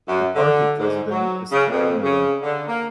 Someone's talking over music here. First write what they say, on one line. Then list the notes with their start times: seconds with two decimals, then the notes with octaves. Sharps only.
The party president is Tara Miller.
0.09 F#2
0.34 D3
0.79 G#2
1.10 F#3
1.52 C#3
1.71 F2
2.03 C#3
2.42 D3
2.68 A#3